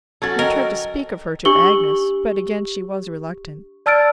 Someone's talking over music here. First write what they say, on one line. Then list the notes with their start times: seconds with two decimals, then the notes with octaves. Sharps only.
He tried to speak of her to Agnes, but again she was reluctant.
0.22 F#3 C#4 F#4 A4 A6
0.39 A#4 D#5 G5
1.45 D4 G4 C#6 E6 F#7 G7
3.86 D5 A5 E6 F6 A6 D7